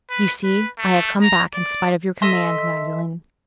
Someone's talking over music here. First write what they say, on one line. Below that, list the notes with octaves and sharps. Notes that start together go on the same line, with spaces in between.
"You see I have come back in spite of your command, Magdalen."
B4
B4
A3
A#5
D5
A4 D#5 E5 C6